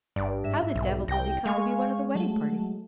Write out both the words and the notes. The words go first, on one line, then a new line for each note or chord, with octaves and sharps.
"How the devil does he come to be one of the wedding party?"
G1 G2 D5
G#2 E5
B1
C2 G5 A#6
G#3 F5 G#5 C#6
F#3 A3